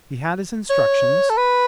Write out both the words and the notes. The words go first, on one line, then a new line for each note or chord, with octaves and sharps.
He had his instructions.
C#5
A4
B4